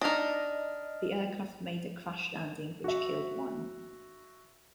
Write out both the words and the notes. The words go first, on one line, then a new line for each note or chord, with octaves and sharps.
The aircraft made a crash landing, which killed one.
D4 D#4 D#5 F6
F#4 E5